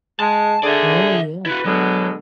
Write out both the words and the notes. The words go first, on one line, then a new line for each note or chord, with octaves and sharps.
Oh, yeah.
G#3 A5
D3 G#4 D5 E5
E4 F#4 B4
B2 D3 F#3 G#3